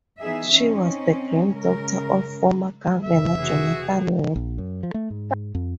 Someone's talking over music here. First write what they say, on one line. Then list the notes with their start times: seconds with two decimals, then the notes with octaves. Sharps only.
She was the granddaughter of former Governor Jonathan Worth.
0.20 E3 B3 D#4 G#4 E5
0.52 C4 C#4 D#4
1.49 C#3 G#3 A#4
3.05 F1 C#3 E3 E5
3.38 F#4 G#4
4.36 A#1
4.58 F#2
4.83 F3
4.94 A3
5.10 G#2
5.55 F2